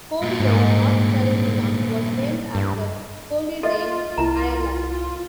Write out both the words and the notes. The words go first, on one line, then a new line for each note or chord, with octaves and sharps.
Colerain, North Carolina, was named after Coleraine in Ireland.
G2 A#2
G#2
G2
F4 A4 D#5 E5
C2 E4 A#5